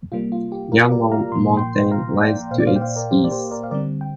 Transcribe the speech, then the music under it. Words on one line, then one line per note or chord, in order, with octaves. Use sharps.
Yunlong Mountain lies to its east.
C3 G3 A#3 F4
F4
G4
F4 A#4
A#4 D5
F5 A#5
A#2 F3 A#3 C6
G5 C6
F5 A#5
D5 G5
A#2 A#3 C5 F5
D5
C5 F5
G5
C5 F5
A#4 D5
G4 C5
D5
G4 C5
A#4 D5
F5
D3 G3 C4 A#4 D5
G5